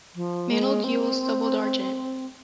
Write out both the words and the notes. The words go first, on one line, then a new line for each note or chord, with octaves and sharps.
Mantled gules doubled argent.
F3
G#3
C4